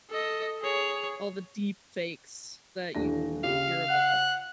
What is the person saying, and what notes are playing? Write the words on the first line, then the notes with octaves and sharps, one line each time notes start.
All the deep fakes that you hear about.
A4 D#5
G#4 C#5
D#1 D4 A#6
C#3 F4 G4 F5
F#5 F#6